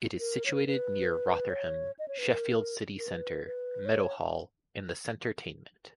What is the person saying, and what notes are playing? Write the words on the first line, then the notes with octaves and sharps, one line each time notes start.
It is situated near Rotherham, Sheffield City Centre, Meadowhall and the Centertainment.
A#4
C#5
B4
A#4
B4
C#5
D#5
C#5
B4
A#4
A#4
B4
B4
C#5